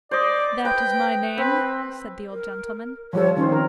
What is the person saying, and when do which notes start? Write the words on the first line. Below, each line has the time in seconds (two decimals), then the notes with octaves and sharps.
'That is my name,' said the old gentleman.
0.11 C5 D5 D#5
0.65 B4 G5
1.38 C4 B4
2.30 A#4
3.13 F3 G3 A4 C#5
3.37 D#3 C#4 C5
3.49 C4 A#4